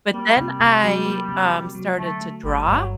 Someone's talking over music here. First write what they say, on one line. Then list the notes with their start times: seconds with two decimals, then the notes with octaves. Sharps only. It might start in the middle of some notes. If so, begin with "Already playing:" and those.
but then I, um, started to draw,
0.13 G3 A#3
0.37 C3
0.60 C3
0.83 F#3
1.06 A#3
1.29 C3
1.52 C3
1.75 F#3
1.98 D3 A3
2.21 A3
2.44 G1 G3
2.66 G2 F#3